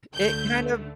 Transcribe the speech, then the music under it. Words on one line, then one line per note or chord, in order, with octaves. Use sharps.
it kind of
D2 D3 A3 G6